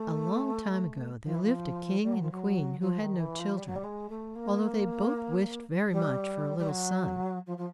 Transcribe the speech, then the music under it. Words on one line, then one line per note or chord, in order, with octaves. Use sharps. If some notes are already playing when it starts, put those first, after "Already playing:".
A long time ago there lived a king and queen who had no children, although they both wished very much for a little son.
Already playing: A3
F3
E3
F3
G3
F#3
F3
F#3
F3
D#3
E3
F3
G3
F#3
G3
G#3
A3
A#3
G3
G3
F#3
F3
F3